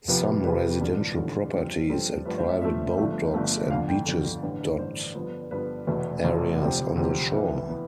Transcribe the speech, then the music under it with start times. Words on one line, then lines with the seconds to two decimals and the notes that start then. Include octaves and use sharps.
Some residential properties and private boat docks and beaches dot areas on the shore.
0.08 F2 C3 F3 B3 F4
0.44 F2 C3 F3 B3 F4 B4
0.81 A1 G2 D3 F3
1.16 A1 G2 D3 F3 A4
1.53 G2 F3 C4
1.89 G2 F3 C4 A4
2.25 G2 F3 A3 B4
2.38 C5
2.49 E5
2.62 G2 F3 A3 E5
2.98 G1 G2 F3 A3
3.34 G1 G2 F3 A3
3.70 G1 F2 D3 F5
3.88 G5
4.06 G1 F2 D3 A4
4.43 A1 G2 D3 B4
4.79 A1 G2 D3 C5
5.15 G1 G2 F3 B3
5.51 G1 G2 F3 B3 B4
5.87 F1 E2 B2 A3 B4
6.24 F1 E2 B2 A3
6.60 D2 C3 F3 C4
6.96 D2 C3 F3 C4
7.32 F2 E3 B3 E5
7.69 E3 B3